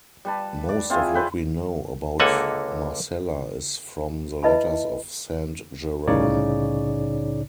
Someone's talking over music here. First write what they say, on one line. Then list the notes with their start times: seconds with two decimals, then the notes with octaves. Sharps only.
Most of what we know about Marcella is from the letters of Saint Jerome.
0.25 G3 B4 A5
0.69 D5
0.90 C4 E4 F4 G#4
1.14 C4 B4 C5
2.20 C#2 D3 A#3 A4 F#5 G#5
4.43 E4 B4 D#5 E5 A5 B5
6.08 C2 A2 C#3 D#4 C#5 D5